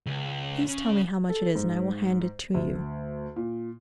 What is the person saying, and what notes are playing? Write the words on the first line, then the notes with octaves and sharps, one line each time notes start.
Please tell me how much it is and I will hand it to you.
C#2
C#3
A4
G#2
D2
A#2